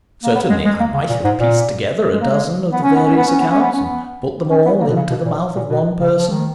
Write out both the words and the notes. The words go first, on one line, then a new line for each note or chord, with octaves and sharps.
Certainly, I might have pieced together a dozen of the various accounts, and put them all into the mouth of one person.
A#3
B3
G#3
G#3
A#3
C#3
A#2
G#2
A#2
G#3
A#3
G#3
B3
C#4
B3
C#4
B3
C#4
B3
C#4
B3
C#4
B3
C#4
B3
A#3
B2
C#3
B2
A#2
A#2
B2
C#3
F3
D#3